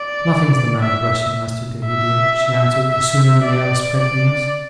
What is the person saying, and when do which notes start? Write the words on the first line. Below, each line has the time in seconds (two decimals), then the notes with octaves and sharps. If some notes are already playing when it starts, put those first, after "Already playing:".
'Nothing's the matter, bless you, Master Davy dear!' she answered, assuming an air of sprightliness.
Already playing: D5
0.80 E5
1.86 E5
2.91 E5
3.44 D5
3.97 D5